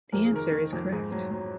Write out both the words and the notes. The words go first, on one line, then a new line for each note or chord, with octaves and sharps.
The answer is correct.
F2 A#4
G#4
D#3 A#4
D#3
F2
G#2 G#4
F#3
F#3